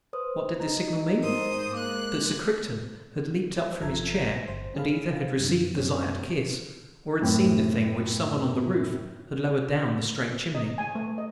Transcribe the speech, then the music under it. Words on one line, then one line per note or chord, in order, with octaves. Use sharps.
What did the signal mean? That Sir Crichton had leaped up from his chair, and either had received the Zayat Kiss or had seen the thing which someone on the roof had lowered down the straight chimney.
B4 C5 D#6
D#4 A#5
G#2 A#4 C5 D#6
G#3 A#3 D6 F#6
G1 F3 A4 E5 A#5 G#6
G1 C5
C#4 G#4 A4 F5 B5
F#2 B2 D3 E3
F#2 B2 C4 C#5
F#2 A2 C4
D#5
G#5
A3
D#5